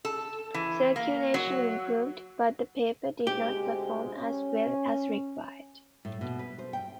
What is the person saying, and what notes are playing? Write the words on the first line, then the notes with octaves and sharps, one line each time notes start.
Circulation improved, but the paper did not perform as well as required.
A4
E3
A#3
F#3
D2 C3 G#3 G4
C#4
A2
B2
B4
C5
G5